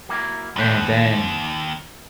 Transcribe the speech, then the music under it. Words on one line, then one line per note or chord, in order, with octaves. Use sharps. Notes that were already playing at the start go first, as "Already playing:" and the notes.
And then
F#3 A#3 E4
D#2 F3 B4 C5